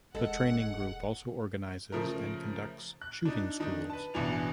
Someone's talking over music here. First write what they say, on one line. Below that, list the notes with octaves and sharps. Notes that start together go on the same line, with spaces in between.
The Training Group also organizes and conducts shooting schools.
E1 G#3 A4 F#5
C#3 F3 A3 A#4
F#6
D4 D#4
D#3 D4 D#4
B4 A5
A1 B2 E3 D4 G#5 F7